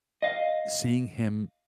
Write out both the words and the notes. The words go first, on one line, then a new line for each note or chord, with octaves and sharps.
Seeing him
D#5 F5